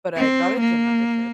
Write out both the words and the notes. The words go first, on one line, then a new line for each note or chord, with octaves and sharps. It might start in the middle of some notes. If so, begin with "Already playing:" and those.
But I got a gym membership.
C4
A#3